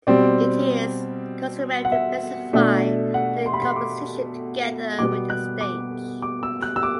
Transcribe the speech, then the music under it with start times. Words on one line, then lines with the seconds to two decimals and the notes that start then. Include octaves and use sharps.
It is customary to specify the composition together with the stage.
0.07 B2 G3 C4 D5
1.85 F#5
1.92 E5
2.53 B2 A3 D4
3.14 F#5
3.46 C6
3.54 B5
3.62 C6
3.76 D6
4.99 B2 G3 B3 D6
5.30 F#6
5.61 D6
6.22 D6
6.43 E6
6.62 F#6
6.76 E6
6.83 D6